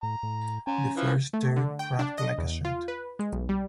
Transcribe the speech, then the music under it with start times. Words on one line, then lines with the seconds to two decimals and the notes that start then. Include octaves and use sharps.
The first stair cracked like a shot.
0.03 A2 A#5
0.23 A2
0.67 C#4 G#5 A#5
0.97 E3 F3
1.33 A3
1.56 D3
1.79 G5
1.99 D4
2.18 D#5
2.38 E2
2.65 F4
2.88 B4
3.19 G#3
3.33 B1
3.49 G3